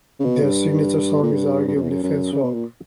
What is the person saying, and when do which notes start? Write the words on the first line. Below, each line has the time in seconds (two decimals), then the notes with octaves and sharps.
Their signature song is arguably Fencewalk.
0.20 C#3
0.25 B2
0.43 G2
1.23 A#2
1.32 G2
1.68 G2
1.75 F#2
1.82 E2
1.90 F#2
2.04 F#2
2.33 C#3
2.43 B2
2.54 A#2